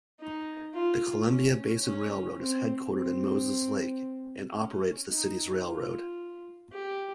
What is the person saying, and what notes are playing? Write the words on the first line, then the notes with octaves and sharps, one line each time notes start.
The Columbia Basin Railroad is headquartered in Moses Lake and operates the city's railroad.
D#4
F4
C#4
C#4
C4
C4
C#4
D#4
F4
G4